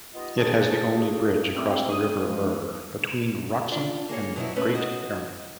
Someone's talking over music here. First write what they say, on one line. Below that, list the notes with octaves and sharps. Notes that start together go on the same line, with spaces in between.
It has the only bridge across the River Bure between Wroxham and Great Yarmouth.
B3 D#4 F4 G4 D#5
C#4 G#4 C5 A5
A#3 F#4 G#4 A4
G3 A3 C4
C2 A#2 G#3 A3 D#6
F3 G#3
D4 F4 D5
A#3 G#4 C#5
B2 F#3 E4
A3 C#4 B4
F#4 D#5